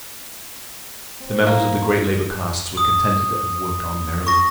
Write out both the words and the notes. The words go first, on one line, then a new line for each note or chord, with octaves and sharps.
The members of the great labor castes were contented and worked on merrily.
C4
A#3
D#6
C#6 A#6